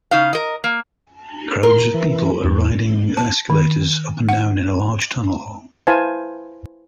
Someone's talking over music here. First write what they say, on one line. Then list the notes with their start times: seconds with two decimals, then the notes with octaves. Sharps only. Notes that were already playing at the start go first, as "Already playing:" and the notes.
Crowds of people are riding escalators up and down in a large tunnel.
0.11 C#3 D#4 F5
0.33 A#4 D#5
0.64 A#3
1.63 A#4 C6
1.94 E3
2.44 E2
3.17 A5
3.50 D#3
4.29 F#5
5.87 E4 B4 C5 F5 G#5 A5